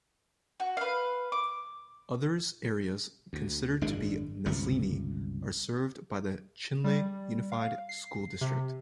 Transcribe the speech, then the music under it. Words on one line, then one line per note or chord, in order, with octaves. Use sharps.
Others areas considered to be "Nazlini" are served by the Chinle Unified School District.
F#4
B4 F5
D6
D2
G#1 F#2 G#3 D4
G1 C#2 C3
G3
F5
C7
C3